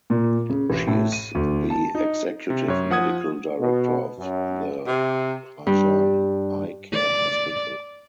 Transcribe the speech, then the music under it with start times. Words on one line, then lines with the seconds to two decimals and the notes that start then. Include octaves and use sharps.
She is the executive medical director of the Rajan Eye Care Hospital.
0.10 A#2
0.50 C#3
0.70 A1
0.87 A2
1.12 D#7
1.35 D2
1.70 A5
1.95 D#4
2.50 C3
2.68 F#2 C#5
2.90 F3 F#5 D#6 G#6
3.60 B2
4.18 F#2
4.87 C3
5.67 G2
6.93 D5